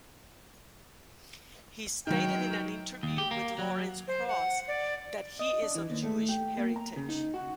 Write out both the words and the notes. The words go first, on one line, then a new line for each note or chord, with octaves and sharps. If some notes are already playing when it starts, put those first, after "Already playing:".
He stated in an interview with Lawrence Krauss that he is of Jewish heritage.
D#3 E3 F#3 G#3 G5
D#2
G4
A#3
F#3
C5
F#5
D5
D#5
D4
E3
D#2
A3
G4
A#3
A#5
C#3
D#4
F#4